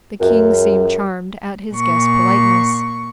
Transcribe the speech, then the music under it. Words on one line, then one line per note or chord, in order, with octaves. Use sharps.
The king seemed charmed at his guest's politeness.
C#2 F#2
A#2 C#6